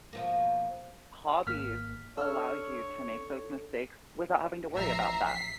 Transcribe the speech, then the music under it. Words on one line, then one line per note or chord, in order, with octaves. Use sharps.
hobbies allow you to make those mistakes without having to worry about that.
B2 F3 A#3
G#1 A#3 F6 B6
D4 A4 C#5 E6 F6
A1 F3 E5 A#5 C7
B6 C7